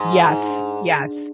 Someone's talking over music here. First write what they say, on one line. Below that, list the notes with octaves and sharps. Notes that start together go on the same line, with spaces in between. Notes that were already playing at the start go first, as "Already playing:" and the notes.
Yes. Yes.
Already playing: G#2
F4
D#4
D#4
D4